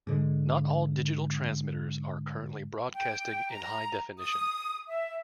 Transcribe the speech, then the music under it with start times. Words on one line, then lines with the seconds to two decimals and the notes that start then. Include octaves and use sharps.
Not all digital transmitters are currently broadcasting in high definition.
0.07 G#2 D3 G#3
2.94 G5
3.49 A#5
4.20 D#6
4.87 E5